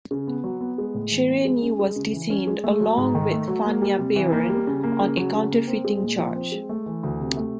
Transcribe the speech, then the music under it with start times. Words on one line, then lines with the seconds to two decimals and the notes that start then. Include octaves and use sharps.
Chernyi was detained along with Fanya Baron on a counterfeiting charge.
0.11 C#3
0.27 B3
0.44 F#3
0.61 B3
0.78 G#3
0.94 A2
1.11 E3
1.29 B3
1.45 G#3
1.62 C#4
1.79 G#3
1.96 C#3
2.13 E3
2.30 C#4
2.47 G#3
2.64 A3
2.80 F#3
2.97 G#2
3.15 D#3
3.32 A3
3.48 F#3
3.65 A#3
3.82 G3
3.98 C3
4.16 E3
4.32 A#3
4.49 G3
4.67 C#3
4.83 A#3
5.01 C#3
5.17 F#3
5.34 C#3
5.51 A#3
5.67 C4
5.84 G#3
6.02 A#2
6.18 F3
6.35 C4
6.52 G#3
6.69 A3
6.86 E3
7.03 D2
7.20 C3
7.37 A3